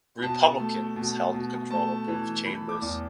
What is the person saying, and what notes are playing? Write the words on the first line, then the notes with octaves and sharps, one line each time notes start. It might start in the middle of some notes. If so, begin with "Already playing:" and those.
Republicans held control of both chambers.
B2 A5
A3
B2
B2
A3 A5
E3
E3 B5
D6
E2